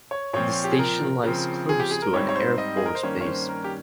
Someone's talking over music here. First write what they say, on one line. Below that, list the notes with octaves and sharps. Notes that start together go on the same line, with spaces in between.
The station lies close to an airforce base.
C#5
A#2 F3 C4 C#5
G4
G#4
A#4
C#3 F3 C4
G#4
G4
G#4
A#4
G#2 G3 C4 C#5
C#5
C5
D#5
G#4
A#4
C5
G2 D#3 A#3 C#4 C#5
C#5
C5
A#4
G4